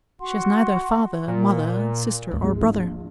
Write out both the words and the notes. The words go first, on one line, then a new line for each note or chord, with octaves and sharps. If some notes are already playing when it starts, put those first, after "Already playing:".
She has neither father, mother, sister, or brother.
F#4 F#5 C6
A#2
G#1 D2
G#3
A#1